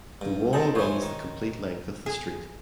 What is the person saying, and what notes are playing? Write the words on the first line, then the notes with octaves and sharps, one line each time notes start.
The wall runs the complete length of the street.
G2
C4 D#4 F#5 A5
E3 F3 C5 C#5 D#6
D#3
G#4